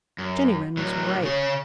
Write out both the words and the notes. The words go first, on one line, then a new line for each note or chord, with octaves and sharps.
Jenny Wren was right.
F#2
A2 F#3
C#3 C#5